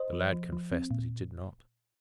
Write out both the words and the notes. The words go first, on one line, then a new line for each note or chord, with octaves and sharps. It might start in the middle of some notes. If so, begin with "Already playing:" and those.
The lad confessed that he did not.
Already playing: C5 D#5
F3
F3
F3
C4
A#2